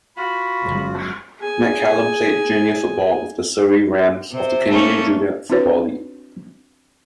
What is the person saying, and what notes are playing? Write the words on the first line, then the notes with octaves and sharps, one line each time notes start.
McCallum played junior football with the Surrey Rams of the Canadian Junior Football League.
F4 F#4 B5
G1 F#2 G#3
G#4 G#5
C3 C5
A3 A#3 C#4
C4 D4 E4 F#4 B4 C#5